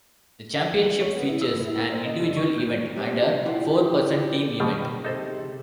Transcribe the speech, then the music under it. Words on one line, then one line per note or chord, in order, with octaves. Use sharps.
The championships features an individual event and a four-person team event.
C#5
B3
E4
E6
A2
E4
A#4
C5
D#5
G2
C#6
G6
G2 C3
E4 F4 G4 F#5
B2 D#3 G3 G#4
C3 D#4 A4 C5